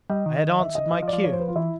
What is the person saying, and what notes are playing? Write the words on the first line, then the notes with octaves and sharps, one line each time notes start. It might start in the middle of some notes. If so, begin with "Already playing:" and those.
I had answered my cue.
G3 D#5
D#3
E5
D#5
E3 D#5
F3
D5
F3
C#5
C5
B4
F4
E3 E4